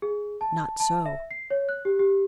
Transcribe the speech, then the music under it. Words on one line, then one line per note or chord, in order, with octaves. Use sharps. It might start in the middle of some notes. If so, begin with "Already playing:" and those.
Not so.
G#4
A5
A5
E5
C7
C#5
F#6
G4
G4